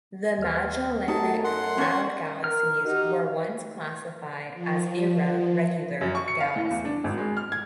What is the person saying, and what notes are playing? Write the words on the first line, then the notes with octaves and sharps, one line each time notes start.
The Magellanic Cloud galaxies were once classified as irregular galaxies.
D#2 F6
F#2 A3 D#4 F#4 G4 A4 A5
A#4 F#5 C6
C#4 C#5
A#4 F6
D#4 F#4 G4
F3
F#2
C#6
C#7
F5
A2
E2
D4
G#1
G#3
F6
G#6